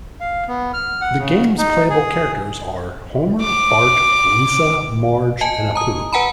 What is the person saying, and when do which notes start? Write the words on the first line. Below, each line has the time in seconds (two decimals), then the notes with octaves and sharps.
The game's playable characters are Homer, Bart, Lisa, Marge, and Apu.
0.21 F5
0.48 B3
0.74 F6
1.01 F#5
1.18 C#3
1.58 D#4
1.90 G#4
3.42 D6
5.41 D#5 G#5 A5
5.75 A#5 D#6
6.13 B4 F#5 G#5 A#5 B5